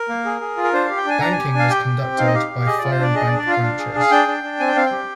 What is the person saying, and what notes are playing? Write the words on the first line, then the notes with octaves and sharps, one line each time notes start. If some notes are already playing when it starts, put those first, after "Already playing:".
Banking was conducted by foreign bank branches.
Already playing: A#4
A#3
G#4
G#4
F4
A#4
D4 C5
G4 F5
G5
D4 G#5
D4 A#5
G#5
G4
D4
F5
G4 G5
G4
C4
D#4 F5
D#5
G4 F5
G4
G#4 D#5
F4 D5
C5
D4 D5
G#4 D#5
D5
D4
D5
F4 F5
D4
G#4
G#4 F5
D4 G5
D4
D4
C4 G#5
G5
C4 F5
G5
G4